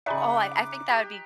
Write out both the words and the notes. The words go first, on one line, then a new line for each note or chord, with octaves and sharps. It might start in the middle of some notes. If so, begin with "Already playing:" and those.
Oh, I I think that would be
C#3 D#4 B4 D5 E5 G#5 B5 C#6
D6
G4